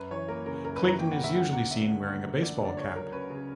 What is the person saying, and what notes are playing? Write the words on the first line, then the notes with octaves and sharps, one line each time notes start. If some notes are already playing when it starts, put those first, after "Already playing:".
Clayton is usually seen wearing a baseball cap.
Already playing: F#2 B4
E3 C#5
A#3 A#4
C#3 A#4
F#2 A#4
B4
E3
A#5
A#3 G5
F#5
C#3
E5
D2 F#5
A#3 F#5
D4 E5
D3
D2
A#3
D4 D5
D3
D5
C#2 C#5
F#3 A#4
C#4 B4
C#3